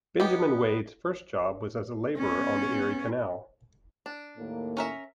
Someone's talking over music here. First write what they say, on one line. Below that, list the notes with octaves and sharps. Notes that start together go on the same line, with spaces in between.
Benjamin Wade's first job was as a laborer on the Erie Canal.
B3 D#4 G4
B3 C#4
D4
D#2 A2 A#3
C#4 A#4 E5